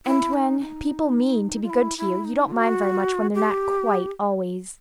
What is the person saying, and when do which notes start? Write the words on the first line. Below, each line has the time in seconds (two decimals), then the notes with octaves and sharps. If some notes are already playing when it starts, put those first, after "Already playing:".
And when people mean to be good to you, you don't mind very much when they're not quite--always.
0.06 E4
0.33 D#4
0.60 D#4
1.63 F4
1.70 E4
1.98 E4
2.25 D#4
2.53 F#4
3.34 G4